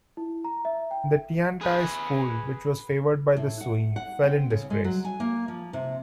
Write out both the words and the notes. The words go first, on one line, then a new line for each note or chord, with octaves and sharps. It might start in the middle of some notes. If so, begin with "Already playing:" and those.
The Tiantai school, which was favoured by the Sui, fell in disgrace.
E4
A#5
E5
G5
G#4 B4
A2
F#5
F#5
C4
C#3
G#3
F#3
G#5
A#3
F3
C3